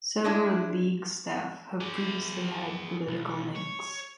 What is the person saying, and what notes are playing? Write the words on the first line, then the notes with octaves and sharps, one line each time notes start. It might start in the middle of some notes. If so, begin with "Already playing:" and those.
Several League staff have previously had political links.
G#3 D4 E4
G#4 D5
B1
C#5